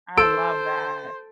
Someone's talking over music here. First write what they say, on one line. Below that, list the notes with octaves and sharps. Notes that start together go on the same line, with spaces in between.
I love that.
A4 C5 E6 D7